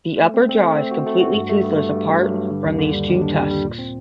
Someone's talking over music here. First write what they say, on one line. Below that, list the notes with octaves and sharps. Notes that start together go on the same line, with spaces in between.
The upper jaw is completely toothless apart from these two tusks.
A3
C4
C4
A3
C4
F#4
A3
F#4
G2
A3
G2
A3
G2
G2
F#3
G2
D3
D#2
D3
G3
D#2
D4
G3
G3
A#2
C4